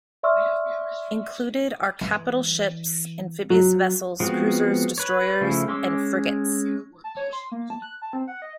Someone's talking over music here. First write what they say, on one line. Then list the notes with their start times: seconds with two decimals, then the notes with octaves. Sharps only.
Included are capital ships, amphibious vessels, cruisers, destroyers and frigates.
0.23 D5 E5 C6 C#6 E6 F6
2.01 E3
3.50 F#3
4.20 F3 G#3 B3 C4 F#4
4.98 B4 C#5
5.41 C#3 F3 A3 E4
5.68 G#3 C#4 C6 D6 E6
7.04 A5
7.17 C#5
7.33 C6
7.52 A#3
7.70 A5
7.82 F#6
8.02 A5
8.13 C4
8.27 F#5
8.42 D#5